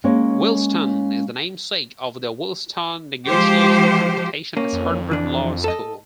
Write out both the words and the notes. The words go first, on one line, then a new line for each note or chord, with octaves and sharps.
Williston is the namesake of the Williston Negotiation Competition at Harvard Law School.
G#3 A#3 C#4 C#5
F3 G#3 G4 C5
A#3 C#4
F2
E3 D4
A4 D#5